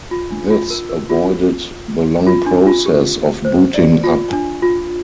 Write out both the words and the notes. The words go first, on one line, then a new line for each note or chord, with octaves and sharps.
This avoided the long process of booting up.
F4
D4
F4
A#4
A#4
F4
F4
D4
F4
G4
C5
D5
F4
D4
F4